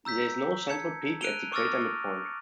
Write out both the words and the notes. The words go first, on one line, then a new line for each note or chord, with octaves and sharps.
There is no central peak at the crater midpoint.
A#5 E6 G6 B6
A5 G#6 C#7
F#6 D7 D#7 F7 G7
C#6 D6 E6 F6 A6 A#6